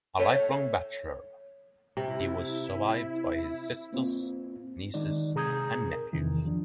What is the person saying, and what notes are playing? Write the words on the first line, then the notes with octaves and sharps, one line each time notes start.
A lifelong bachelor, he was survived by his sisters, nieces and nephews.
A4 C#5 E5 G5
C3 E4
A#3 C4 F4
D#3 G#3 D#4 D5
C3 G#4 A#5 D#6 G6 G#6
A#4
E2 C3 D#3 E3
F3 D4